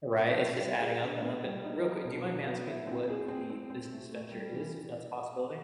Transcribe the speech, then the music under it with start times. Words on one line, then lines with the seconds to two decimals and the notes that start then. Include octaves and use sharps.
Right, it's just adding up and up and, real quick, do you mind me asking what the business venture is, if that's a possibility?
0.19 C4
0.40 C4
0.60 G3
0.81 G#4
1.02 D3
1.22 B3
1.44 G3
1.64 D#4
1.84 F#3
2.05 B2
2.25 F#3
2.47 B3
2.67 E4
2.87 C4
3.09 G#4
3.28 C4
3.50 C4
3.70 C4
3.90 A3
4.12 A3
4.31 G3
4.53 E3